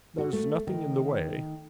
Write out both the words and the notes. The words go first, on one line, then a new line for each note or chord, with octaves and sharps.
There's nothing in the way.
F#4
A3
D#3